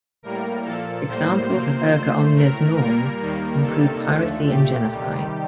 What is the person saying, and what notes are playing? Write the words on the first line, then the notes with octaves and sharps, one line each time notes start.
Examples of erga omnes norms include piracy and genocide.
A2 G3 A#3 A#4
A#2 F3 A#3 A4
A2 G3 A#3 C5
C3 F3 A#3
A#2 A3 C5
A2 A3 A#4
A#2 G3 A#3 A#4
D#2 D#3 G3 A#3
C3 D#3 G3 A#3 A4
D#2 D3 F3 A3
A#2 A3 G4
C3 D#3 G3